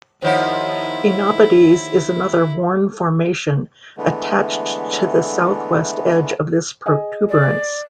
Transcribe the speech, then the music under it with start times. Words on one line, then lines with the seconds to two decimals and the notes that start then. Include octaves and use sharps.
Oenopides is another worn formation attached to the southwest edge of this protuberance.
0.22 D#2 F3 D#4 E4 C5 C#5 F#5
3.97 D3 E3 G#3 A3 B3
6.86 G#4 D#5 G#5
7.29 D5